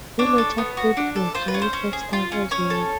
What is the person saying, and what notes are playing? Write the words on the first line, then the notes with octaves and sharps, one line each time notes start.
He later played for Halifax Town as well.
D4 C#5
A4
B3
F#4
D4
A4
F4 C5
B4
C#4
C5
C#4
G#4
F4
C#4
C#4 C#5
A4